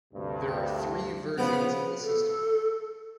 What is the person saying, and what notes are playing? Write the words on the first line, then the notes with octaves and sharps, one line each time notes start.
There are three versions of the system.
D2 G2 C3
C#3 F3 B3 G#4
A4